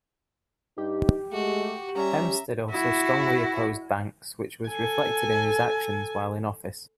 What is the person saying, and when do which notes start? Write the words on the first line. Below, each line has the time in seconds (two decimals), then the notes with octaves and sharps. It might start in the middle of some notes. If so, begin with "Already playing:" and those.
Hempstead also strongly opposed banks, which was reflected in his actions while in office.
0.78 G2 D#4 G4
1.32 G#3 A3 F#4
1.96 G3 C#4 E5 A#5
2.70 E4 F#4
4.69 A4 G#5